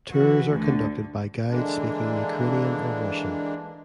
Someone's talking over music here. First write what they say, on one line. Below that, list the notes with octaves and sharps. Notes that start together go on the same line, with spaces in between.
Tours are conducted by guides speaking Ukrainian or Russian.
E3 F#4
D2 D3
D3 E3 G#3 A#3 D4